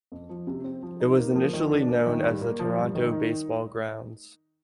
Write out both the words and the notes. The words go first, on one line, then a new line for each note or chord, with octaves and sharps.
It was initially known as the Toronto Baseball Grounds.
F2
F3
C3
C4
F3
D#4
A#3
F3
D#3
D4
A#3
D#3
G2
A#3
F3
G2
D#3
D#4